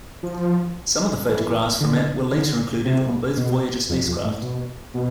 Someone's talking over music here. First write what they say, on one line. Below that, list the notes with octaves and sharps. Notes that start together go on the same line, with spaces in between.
Some of the photographs from it were later included on both Voyager spacecraft.
F3
E3
D3
D3
C3
B2
F2
F2
A2
B2
B2